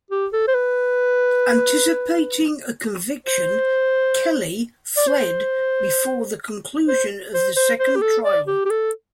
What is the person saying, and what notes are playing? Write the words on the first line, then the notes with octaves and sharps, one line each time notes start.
Anticipating a conviction, Kelly fled before the conclusion of the second trial.
G4
A4
C5
B4
C5
D5
C5
C5
C5
C5
C5
G4
A4
D5
G4
G4
A4